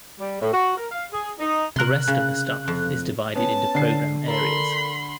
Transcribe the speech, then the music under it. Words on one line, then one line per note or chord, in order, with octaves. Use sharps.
The rest of the staff is divided into program areas.
G3
A2
F#4
A#4
F5
G#4
D#4
C3 A#4 C6 F#6
C#3
F2
B3 C#4 A5
D3 C7
A4 A#4 B5 C6